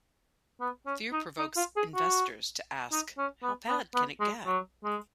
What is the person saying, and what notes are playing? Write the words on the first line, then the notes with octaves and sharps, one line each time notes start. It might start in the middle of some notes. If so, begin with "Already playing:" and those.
Fear provokes investors to ask: How bad can it get?
B3
C#4
D#4
D#4
F4
G#4
F#4
D#4
C#4
B3
B3
B3
G#3
F#3
G#3